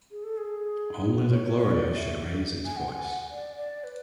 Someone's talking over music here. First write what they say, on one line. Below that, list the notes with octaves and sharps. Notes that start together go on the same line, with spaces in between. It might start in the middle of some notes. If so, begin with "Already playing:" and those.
Only the Gloria should raise its voice.
G#4
A4
G#4
B4
C#5
C#5
C#5
D5
E5
G#5
F#5
G#5
F#5
D5
D5
B4